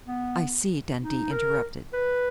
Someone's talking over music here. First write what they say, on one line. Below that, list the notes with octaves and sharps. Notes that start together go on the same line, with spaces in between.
"I see," Dundee interrupted.
B3
D#4
A#4
B4